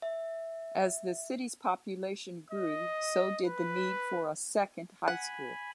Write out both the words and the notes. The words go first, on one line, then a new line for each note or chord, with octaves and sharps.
As the city's population grew, so did the need for a second high school.
E5
D#5
B4
F#5 G#5 B5